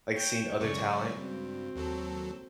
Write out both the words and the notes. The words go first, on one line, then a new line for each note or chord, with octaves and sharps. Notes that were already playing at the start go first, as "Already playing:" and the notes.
like, seeing other talent,
C#5 G5
F#2 C#3 G#3 C#4 D5 C#6
G2 G#3 C4 F#4
D#2 F#3 A4